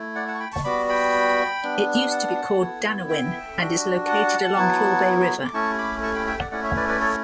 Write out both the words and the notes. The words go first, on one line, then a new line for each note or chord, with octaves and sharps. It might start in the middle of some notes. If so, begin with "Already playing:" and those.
It used to be called Danawin and is located along Kilbay River.
Already playing: A3 E4
D5 F#5
F#5 A5
C#6
G5 B5
A5 C#6
G3 B3 F#4 B5 D6
G5 B5
G3 B3 D4
F#5 A5
B3 E4
E5 G5
G3 D4 F#4
F#5 A5
F#3 B3 E4
D6
A3 C#4 E4 A5 C#6
B5 D6
A5 C#6
G5 B5
E5 G5
D5 F#5
A3 C#4 E4 D5 F#5
C#5 E5
B4 D5
B4 D5
A4 C#5